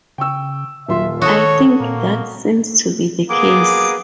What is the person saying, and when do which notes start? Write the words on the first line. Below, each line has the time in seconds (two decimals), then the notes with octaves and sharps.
I think that seems to be the case.
0.18 C#3 G5 C#6 E6
0.88 D#1 F#3 F4 E5 C6
1.22 D#3 F#4 A4 C#5 D#6
1.80 A#2 A#3
3.29 A#3 B3 G#4 D6